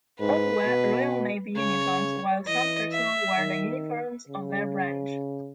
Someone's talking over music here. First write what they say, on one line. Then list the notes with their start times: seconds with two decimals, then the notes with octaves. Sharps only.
All wear Royal Navy uniforms while some personnel wear the uniforms of their branch.
0.20 G#2 B4
0.66 B2
1.56 C#3 C#5
2.47 E3 D#5
2.92 E5
3.38 D#3
4.29 C#3